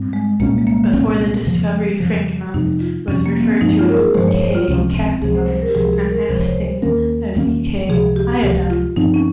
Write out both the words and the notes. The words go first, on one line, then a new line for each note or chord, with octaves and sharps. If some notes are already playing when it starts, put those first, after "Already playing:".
Before the discovery, francium was referred to as "eka-caesium" and astatine as "eka-iodine".
Already playing: G#2 G3 C4
G#3
C2 A#2 G3 A#3 C#4
G#3
A#3
C2 A#2 G3 C4 C#4
F2 C#3 F3
F2 C#3 F3
F2 C3 F3 D#4
F4
F2 C3 F3 C#4
A#3
C4
G2 F3 G#3 D#4
F4
A#4
G#4
G2 F3 G#3 C5
C#5
C5
F4
C#2 C3 F3 C#4
C4
C#2 C3 F3 G#4
C5
C5
A#4
G4
C#2 C3 F3 G#4
G#4
A#4
C#2 C3 F3 C5
C#5
C5
C5
D#2 D#3 A#3 C#4 A#4
D#2 D#3 A#3 C#4
C#2 C3 F3 G#4
G4
C#2 C3 F3 G4
F4
G2 F3 C4 D#4
C#4